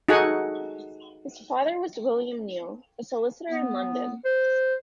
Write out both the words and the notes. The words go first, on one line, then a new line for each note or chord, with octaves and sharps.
His father was William Neal, a solicitor in London.
D#4 F#4 G#4 A4 F#5 G#5
B3
C5